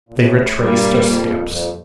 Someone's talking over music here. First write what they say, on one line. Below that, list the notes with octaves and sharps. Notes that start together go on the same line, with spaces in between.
They retraced their steps.
A#2
A2
G2 A#2 G3 A#3
G2
F2
F2